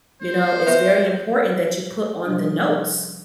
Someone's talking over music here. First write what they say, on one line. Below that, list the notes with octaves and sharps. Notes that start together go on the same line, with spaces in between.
you know, it's very important that you put on the notes
C5
B3 D#5 E5 C#6
C3 F3 G3 D4 D#6